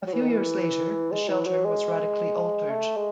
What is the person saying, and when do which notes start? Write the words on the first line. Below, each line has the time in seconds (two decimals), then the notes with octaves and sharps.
A few years later, the shelter was radically altered.
0.07 F#3
0.14 E3
0.22 D#3
0.29 E3
1.12 G#3
1.29 E3
1.47 F#3
1.65 G#3
2.70 A3
2.96 G#3